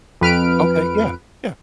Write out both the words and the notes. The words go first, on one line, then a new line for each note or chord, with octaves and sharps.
Okay, yeah, yeah.
F2 B4 F6 D7